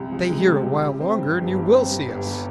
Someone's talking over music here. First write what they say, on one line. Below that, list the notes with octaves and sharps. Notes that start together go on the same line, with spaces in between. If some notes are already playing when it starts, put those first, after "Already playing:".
"Stay here a while longer and you will see us!"
Already playing: C2 C3 F3 G#3
F3
G#3
C3
C2
G3
C4
G2
G1
G3
C4
G2
G1
G3